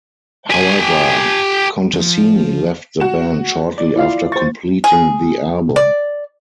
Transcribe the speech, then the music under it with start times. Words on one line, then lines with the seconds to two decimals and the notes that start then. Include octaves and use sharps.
However, Contesini left the band shortly after completing the album.
0.50 G4 G#5
1.94 F3
3.00 F#4 E7
3.78 D5
3.96 E4 F4 F5
4.32 C5 C#6 A6
4.84 G#4
5.76 D5